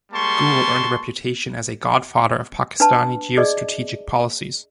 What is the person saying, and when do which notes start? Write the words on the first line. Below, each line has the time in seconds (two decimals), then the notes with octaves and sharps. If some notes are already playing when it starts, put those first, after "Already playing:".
Gul earned a reputation as a "Godfather" of Pakistani geostrategic policies.
0.13 G3 G#3 A#3 A5 C6 C#6
2.80 D4 B4 A5
3.37 G#4 D5 D#5